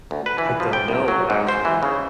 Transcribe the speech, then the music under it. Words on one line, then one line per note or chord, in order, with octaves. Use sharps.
I don't know, actually.
D2
B4
E3
F3
G5
C2
F#3
G#2
C5
E3
C#3